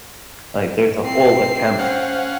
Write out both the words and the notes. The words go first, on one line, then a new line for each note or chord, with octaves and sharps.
Like, there's a whole attempt
C4 G5 C7
C#4 C5 F5 F#5